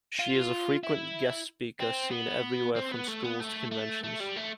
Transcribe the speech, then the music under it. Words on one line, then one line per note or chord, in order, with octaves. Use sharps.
She is a frequent guest speaker, seen everywhere from schools to conventions.
F4
E4
C4
B3
C4
B3
A3
B3
A3
A3
A3
G3
A3